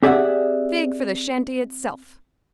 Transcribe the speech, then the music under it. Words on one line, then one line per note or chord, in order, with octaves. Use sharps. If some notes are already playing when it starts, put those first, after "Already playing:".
A fig for the shanty itself!
C4 G4 G#4 D5 E5 F#5